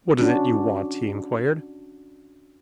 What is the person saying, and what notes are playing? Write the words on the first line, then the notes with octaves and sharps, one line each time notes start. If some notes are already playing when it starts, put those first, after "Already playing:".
"What is it you want?" he inquired.
C#4 D4 F#4